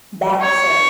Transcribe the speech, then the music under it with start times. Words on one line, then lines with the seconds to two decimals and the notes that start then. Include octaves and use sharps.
Bad, sir.
0.42 C#5